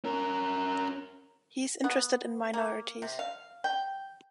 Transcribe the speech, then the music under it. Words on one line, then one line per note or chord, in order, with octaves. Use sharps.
He is interested in minorities.
C#4 A#4
B3
A#3
C3
F5
G5